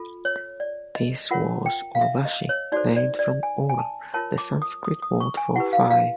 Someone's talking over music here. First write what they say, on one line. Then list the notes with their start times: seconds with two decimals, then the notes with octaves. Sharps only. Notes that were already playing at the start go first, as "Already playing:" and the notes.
This was Urvashi, named from ur, the Sanskrit word for thigh.
Already playing: F4 A4
0.25 C#5
0.60 D5
0.95 D#5
1.31 F4 A#4 C#5 F#5
1.66 G5
1.95 F5
2.01 E5
2.25 D#5
2.49 C#5
2.72 D#4 F#4 A4 C5 D5
2.96 D5
3.19 D5
3.43 G#5
3.69 G#5
3.79 A5
4.14 F4 A#4 C#5 A5
4.38 D6
4.62 D#6
4.84 D#6
5.02 D#6
5.20 C#6
5.37 G#5
5.56 E4 G4 B4 F#5
5.73 F5
5.91 F5